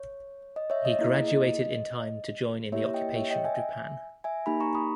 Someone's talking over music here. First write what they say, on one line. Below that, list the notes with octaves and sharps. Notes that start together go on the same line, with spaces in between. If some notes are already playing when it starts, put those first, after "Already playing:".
He graduated in time to join in the occupation of Japan.
Already playing: C#5
D#5
C#5 E5
D#5
A#3 E4 G#4 D#5
D#5
D#5
A#3 E4 G4 C#5 E5
D#5 G5
C#5 E5
D#5 G5
E5 G#5
E5 G#5
A#3 D#4 G4 G#5 B5
A#5 C#6
B5 D#6